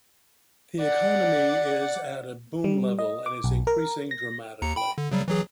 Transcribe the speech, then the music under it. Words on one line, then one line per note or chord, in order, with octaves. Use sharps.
The economy is at a boom level and is increasing dramatically.
D5 F#5
G3
D#5
D6
B1
A#4
A#6
D#2 A#5 C#7
G5 B5
D3
C#3 F#3 G3
E3 F#3 G#4